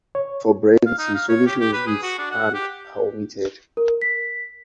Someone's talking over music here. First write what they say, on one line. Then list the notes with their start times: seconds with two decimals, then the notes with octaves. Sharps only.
For brevity, solutions with and are omitted.
0.15 C#5
0.86 F5
0.98 D#4
1.14 F5
1.29 C#5
1.46 G4
1.60 G4
1.73 B4
1.87 G#4
2.03 F#4
2.19 D4
2.31 F#5
2.54 G4
3.77 A#4
4.02 B6